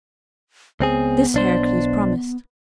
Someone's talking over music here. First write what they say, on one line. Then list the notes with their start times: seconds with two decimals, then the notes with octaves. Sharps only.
This Heracles promised.
0.80 C#2 B3 C4 G#4
1.34 B1 D4 C5